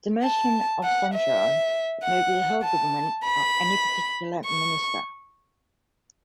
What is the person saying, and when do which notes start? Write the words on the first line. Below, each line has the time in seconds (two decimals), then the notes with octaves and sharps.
The motion of censure may be for the whole government or any particular minister.
0.23 A5
0.84 F#5
1.14 E5
2.04 F#5
2.64 A5
3.24 B5
4.45 C#6